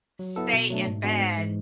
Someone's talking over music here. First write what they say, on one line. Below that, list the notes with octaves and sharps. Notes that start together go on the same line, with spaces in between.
stay in bed,
F#3
B3 E4 A4
B2
F#3 A3 D4
G#2
G#3 B3 D4 F#4
G#2
E3 G#3